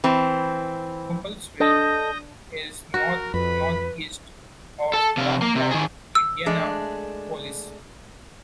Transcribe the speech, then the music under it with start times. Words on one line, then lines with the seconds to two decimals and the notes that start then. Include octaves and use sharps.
Noblesville is north-northeast of downtown Indianapolis.
0.04 E3 C4
1.60 D4 A4 D#5 D#6 G6 A#6
2.94 F#4 A#4
3.34 F2 B4 B5
4.94 A4
5.17 C3 F5
5.42 A#3
5.56 C3
5.71 D#3 G#4
6.15 E6
6.46 G#3 A3 D4